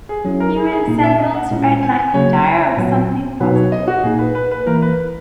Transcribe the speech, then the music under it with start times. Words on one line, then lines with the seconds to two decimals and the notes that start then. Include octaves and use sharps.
He resembles Fred MacIntire of "Something Positive".
0.09 G#4
0.25 F#3 C#4 E4
0.40 A#4
0.56 G#4
0.72 G#4
0.88 A#2 A#3 D#4
1.04 E5
1.19 D#5
1.35 F#5
1.51 A#2 G#3 C#4 E4
1.83 G#5
1.99 G#5
2.14 C#3 F#3 A#3 C#5
2.77 A#2 F#3 B3
3.40 B2 F#3 B3 D#4 B4
3.55 C#5
3.72 D#5
3.88 F#4
4.03 A#2 A#3 D#4 G#4
4.19 B4
4.35 B4
4.51 B4
4.66 E3 A#3 E4 A#4
4.82 B4